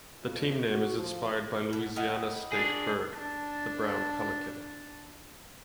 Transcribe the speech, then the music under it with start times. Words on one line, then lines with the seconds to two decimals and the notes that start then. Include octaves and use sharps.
The team name is inspired by Louisiana's state bird, the brown pelican.
0.23 F2
0.69 F#4
0.99 F3
1.73 B2
1.96 G3 D#4 F#5
2.52 D4 G#4
3.12 D4 A5